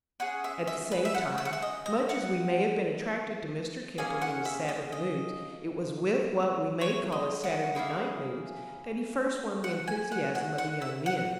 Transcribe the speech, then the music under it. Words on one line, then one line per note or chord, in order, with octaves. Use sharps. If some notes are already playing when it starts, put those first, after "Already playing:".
At the same time, much as we may have been attracted to Mr. Kipling in his Sabbath moods, it was with what we may call his Saturday night moods that he first won the enthusiasm of the young men.
C#4 G#4 F#5
E5
E5
B4
E5
F#5
E5
F#5
E5
D#5
D#5
F#5
A#3 C#4 G#4 G#5
F#5
E5
D#5
D#5
C#5
D#5
F#5
A#3 C#4 E4 G#4
F#5
G#5
F#5
F#5
F#5
E5
F#5